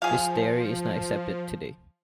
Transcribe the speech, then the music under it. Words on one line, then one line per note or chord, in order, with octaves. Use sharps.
This theory is not accepted today.
F3 G#4 F5